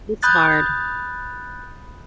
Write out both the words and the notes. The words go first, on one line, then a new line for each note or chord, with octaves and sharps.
it's hard.
B5 D#6 F#6 G6 A6